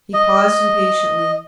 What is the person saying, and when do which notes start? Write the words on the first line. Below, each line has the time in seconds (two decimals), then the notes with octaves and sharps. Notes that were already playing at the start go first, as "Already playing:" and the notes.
He paused impatiently.
0.13 D#5